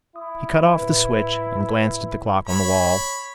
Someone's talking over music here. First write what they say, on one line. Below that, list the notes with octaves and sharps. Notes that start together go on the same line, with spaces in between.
He cut off the switch and glanced at the clock on the wall.
E4 D#6
A2 B4
C#5 B5